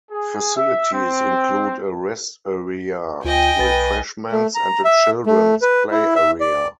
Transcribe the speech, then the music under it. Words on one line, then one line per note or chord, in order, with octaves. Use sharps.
Facilities include a rest area, refreshments and a children's play area.
G#4
E5
C4
D2 F4 D#5 G5 G#5
B1 B4 A6
A3
A#5
E5
A3
B4
E4
E5
D5